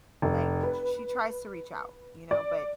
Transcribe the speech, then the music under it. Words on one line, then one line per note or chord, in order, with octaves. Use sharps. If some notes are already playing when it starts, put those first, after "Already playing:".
like, sh sh she tries to reach out, you know, but
F1
B4
D5